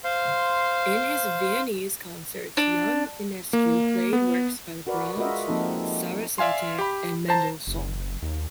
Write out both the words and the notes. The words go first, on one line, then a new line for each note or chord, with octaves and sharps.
In his Viennese concerts young Enescu played works by Brahms, Sarasate and Mendelssohn.
C5 F5 C6
D4
A#3
B3
F#4 A#4 B4 D5
G#3 F4 F#4 A#4 D#5 E5
F3 A#3 C4 D#4 A4
D5 E5 F5 G#5 C6
G4 B5
C5 A5 A#5
F#1
D#2